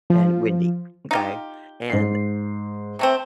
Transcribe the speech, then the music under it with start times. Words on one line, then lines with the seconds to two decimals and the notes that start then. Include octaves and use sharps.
and windy. Okay? And,
0.10 F3
1.11 D#4 F4 G4
1.90 G#2 C7
2.99 C3 A3 C4